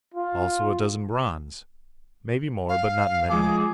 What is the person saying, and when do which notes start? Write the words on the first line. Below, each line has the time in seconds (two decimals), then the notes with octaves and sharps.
Also, a dozen Brons. Maybe more, but not many.
0.14 F4
2.69 F5
3.30 F3 G#3 G#4 D6